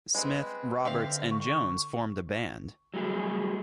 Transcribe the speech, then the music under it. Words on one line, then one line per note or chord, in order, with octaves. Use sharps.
Smith, Roberts and Jones formed a band.
G#3 C4 B4
D3 C4 E5 F5
C#6
F#3 G3 A3 G#4